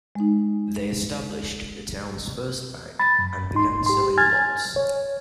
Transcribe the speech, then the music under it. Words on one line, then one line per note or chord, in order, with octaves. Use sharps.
They established the town's first bank and began selling lots.
G#3 D#4
B5 A6
F#2
G#2 D#4 C6
G4 C6
G#5 F6 G#6 A6
C#5